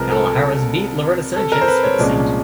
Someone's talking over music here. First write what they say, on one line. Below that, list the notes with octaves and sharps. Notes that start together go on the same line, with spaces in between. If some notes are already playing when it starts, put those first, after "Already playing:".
Kamala Harris beat Loretta Sanchez for the seat.
Already playing: C2 C3 F3 G#3 C4 A#4 B4
A4
A4
A#4
C5
B4
C#5
C2 A#2 F3 G#3 C#4 D5